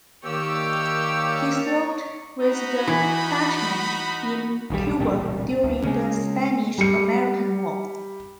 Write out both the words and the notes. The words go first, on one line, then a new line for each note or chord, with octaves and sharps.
He served with the Dutchman in Cuba during the Spanish-American War.
D#3 A#3 G4 C#5 D5 E6
D#4 F#4 B5
E3
D#1 B1 C3 G3
E1 C#2 A#2 G3
D2
C#3 G#3
G3 C#7